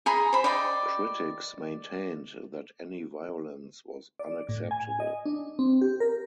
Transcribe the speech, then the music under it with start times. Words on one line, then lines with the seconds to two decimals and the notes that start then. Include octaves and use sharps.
Critics maintained that any violence was unacceptable.
0.06 G#4 A#5 B5
0.33 C5 B5
0.44 D5 D#5 G5 B5
4.19 D5
4.49 A2
4.71 G#5
5.00 D#5
5.26 D4
5.59 C4
5.81 G4
6.00 A#4